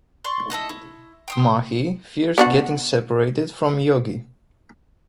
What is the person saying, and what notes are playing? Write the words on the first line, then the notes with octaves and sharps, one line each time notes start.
Mahi fears getting "separated" from Jogi.
D5 C6 C#6
E4 A4 B4 D#5
E4
G5 C6 D#6
B3 D4 F#4